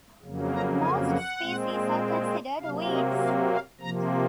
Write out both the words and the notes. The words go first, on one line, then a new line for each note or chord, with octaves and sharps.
Most species are considered weeds.
F2 C#3 F#3 A#3
A#5
G#5
F#5
A#2 G#3 C4
C3 F#3 A#3 F5
D#5
F5
F5
C3 F3 A#3 A#5